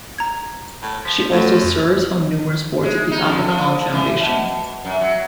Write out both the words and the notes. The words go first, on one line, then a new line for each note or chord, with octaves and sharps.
She also serves on numerous boards of the Aga Khan Foundation.
A#5 G#6
A2
F3 B6
F#2 A3 F#4 A4
F2
G#3
D#4
F2
F3
E3
B2
F#2
F#3